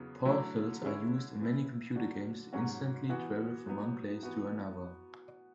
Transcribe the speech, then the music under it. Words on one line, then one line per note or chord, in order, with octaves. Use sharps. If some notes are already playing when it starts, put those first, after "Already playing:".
Portals are used in many computer games to instantly travel from one place to another.
Already playing: E2 C#3 F#3 B3
D3 F#3 A3 E4
D3 G#3 C#4 E4
E3 B3 E4
D3 F#3 A3 D4 F#4
G#2 F#3 C#4 F#4
E3 B3 F#4
A2 F#3 B3
E3 B3 F#4